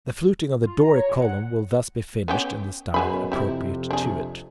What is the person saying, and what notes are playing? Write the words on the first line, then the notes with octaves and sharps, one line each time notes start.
The fluting of the Doric column will thus be finished in the style appropriate to it.
F4
A#5
C#5
A#2
F#5
B3 C#4 G4
F#2 B2 F#3 G#4 B5
F2 C3 G3 E4
D4 G#4